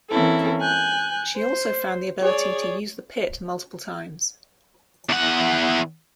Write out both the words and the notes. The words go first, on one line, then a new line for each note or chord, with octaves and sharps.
She also found the ability to use the pit multiple times.
E3 A#3 C4 C#4 E4 A4
G#5 F#6 G6
C5
G#4 C#5 D5
E2 F#5